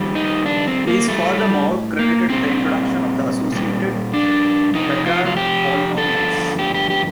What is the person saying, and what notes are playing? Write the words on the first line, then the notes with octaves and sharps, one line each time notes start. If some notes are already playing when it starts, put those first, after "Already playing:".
He is furthermore credited with the introduction of the associated Laguerre polynomials.
Already playing: F2 D#3 G3
D#4
D4
C4
A#3
A2 G3 A3
G3
A#3
A#2 G3 C4
A#2 G3
D4
F2 C3 F3 D#4
F4
F4
G4
G2 D3 F3 A4
G4
G4
G4